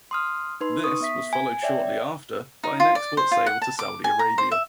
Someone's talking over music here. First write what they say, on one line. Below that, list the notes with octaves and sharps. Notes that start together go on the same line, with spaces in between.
This was followed shortly after by an export sale to Saudi Arabia.
C6 D#6 F6
D#4 B4 C6
C#6 D#6
B3 E5 B6
G#5
C#5 D5 E5 G5
D#4
F4
D5
C5
F4
F#5
A5
D6
G#5
A#5
C5
E5